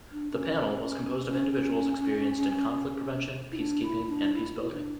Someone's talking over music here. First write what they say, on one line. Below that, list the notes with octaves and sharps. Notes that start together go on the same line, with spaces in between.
The panel was composed of individuals experienced in conflict prevention, peacekeeping and peacebuilding.
D4
C#4
C#4
E4
D4
E4
D4
E4
E4
D4